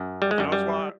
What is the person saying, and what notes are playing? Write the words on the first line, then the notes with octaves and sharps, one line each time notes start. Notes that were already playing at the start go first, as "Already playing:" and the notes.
You know, that's why
Already playing: F#2
G3
G#3
F#2 G3
G3